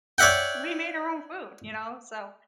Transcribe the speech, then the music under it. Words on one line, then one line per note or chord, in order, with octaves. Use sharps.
we we made our own food, you know, so
C#5 D5 E5 F#5 G5